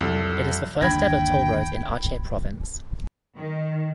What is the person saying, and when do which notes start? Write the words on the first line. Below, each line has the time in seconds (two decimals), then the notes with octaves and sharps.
It is the first ever toll road in Aceh province.
0.01 C2 F2 F#3 A4
0.81 G1 D#2 D4 G5 B5 G#6 A#6
3.37 D#3